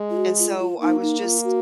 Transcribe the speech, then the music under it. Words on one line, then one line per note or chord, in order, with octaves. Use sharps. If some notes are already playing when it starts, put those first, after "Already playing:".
and so I was just
Already playing: G#3
F4
F#4
F4
F4
A#3 D#4
D#4
F4
F#4